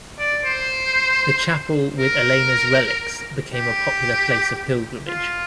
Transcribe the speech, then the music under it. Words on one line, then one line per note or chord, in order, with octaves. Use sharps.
The chapel with Alena's relics became a popular place of pilgrimage.
D5
C5
A#4
G4
F4